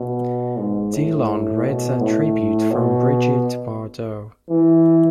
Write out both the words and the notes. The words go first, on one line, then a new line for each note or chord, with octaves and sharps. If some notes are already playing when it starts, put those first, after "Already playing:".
Delon read a tribute from Brigitte Bardot.
Already playing: B2
G#2
A2
B2
A2
B2
E3